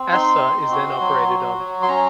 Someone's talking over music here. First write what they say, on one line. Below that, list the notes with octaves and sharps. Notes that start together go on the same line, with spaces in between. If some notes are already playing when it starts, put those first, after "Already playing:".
Aastha is then operated on.
Already playing: C4
D#4 C6
C4
F#4
F#3
F#4
F#3
C6
C#4 A#5